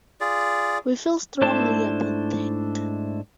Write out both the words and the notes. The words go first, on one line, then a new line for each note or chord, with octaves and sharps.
We feel strongly about that.
F4 G#4 D5
G#2 A3 D4 E4 C5 A5